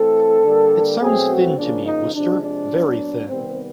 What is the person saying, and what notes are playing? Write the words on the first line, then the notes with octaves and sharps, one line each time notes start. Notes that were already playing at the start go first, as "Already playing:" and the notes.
It sounds thin to me, Wooster, very thin.
Already playing: E3 A3 C4 A4
D3 G3 A#3
B2 F#3 A3 C4 G#4
F#4
C#3 F3 A#3 D4
D#4
C3 F3 G#3 D4
D4
A#2 F#3 B3
C3 D#3 G3 B3 C4